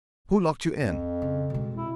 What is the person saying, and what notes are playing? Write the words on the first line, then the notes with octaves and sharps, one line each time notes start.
"Who locked you in?"
F2
C#3
B2 G#3
E4